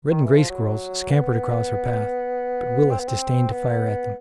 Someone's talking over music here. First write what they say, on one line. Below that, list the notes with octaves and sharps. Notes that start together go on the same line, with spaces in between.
Red and gray squirrels scampered across our path, but Willis disdained to fire at them.
D#3
E3
F3
F#3
B3
C4
B3
C4
B3